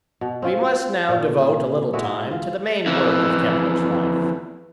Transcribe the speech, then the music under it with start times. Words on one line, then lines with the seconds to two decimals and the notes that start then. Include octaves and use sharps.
We must now devote a little time to the main work of Kepler's life.
0.21 B2
0.42 C4 C#4 F4
1.09 A#2
1.41 G#4
1.93 G#3 E4 F#4
2.31 F4
2.86 F2 E3